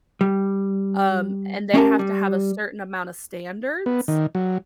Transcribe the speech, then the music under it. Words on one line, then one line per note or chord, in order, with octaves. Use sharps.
um, and they have to have a certain amount of standards.
G3
A3 C#4 G4 G#4 A#4 A5
G3
B3
D#3
F#3